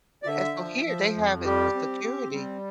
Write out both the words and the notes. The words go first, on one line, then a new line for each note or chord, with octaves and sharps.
Yeah, so here, they have it, the security.
D5
D3 E5
F3
F3
F2
G3 G4
C4
C4
G3